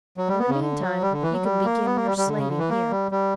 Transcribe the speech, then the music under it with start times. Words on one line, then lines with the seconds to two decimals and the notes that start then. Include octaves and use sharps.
In the meantime, you can begin your slating here.
0.17 F#3
0.28 G3
0.39 B3
0.49 C#3
0.60 D3
0.80 F#3
1.02 G3
1.12 D3
1.23 E3
1.33 F#3
1.43 G3
1.64 A#3
1.86 B3
1.96 A#3
2.06 G3
2.17 G3
2.28 D3
2.37 C#3
2.48 D3
2.59 E3
2.70 A#3
2.91 G3
3.12 G3